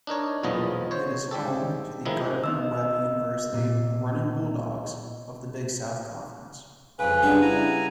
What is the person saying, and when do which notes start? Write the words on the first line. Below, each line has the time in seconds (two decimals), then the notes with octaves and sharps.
It is home to the Gardner-Webb University Runnin' Bulldogs, of the Big South Conference.
0.07 D4 D#4 A#4 C#5
0.43 B1 E2 A#2 F3 B3 D#5
0.91 C5 C#5
1.31 G#2 G3 G4 A4
2.05 A2 D#3 F3 G#3 D#4 E4
2.44 B3 D#5 E6
3.54 A#2
6.99 F2 C#3 B4 G#5
7.22 C#3 G3 B3 D4
7.42 E4 G#5 A#5